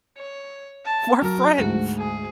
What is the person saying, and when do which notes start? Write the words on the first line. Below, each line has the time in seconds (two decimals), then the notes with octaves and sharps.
We're friends.
0.17 C#5
0.85 A5
1.22 F#3 A#4
1.58 D2 G#2 F#4
1.98 G#4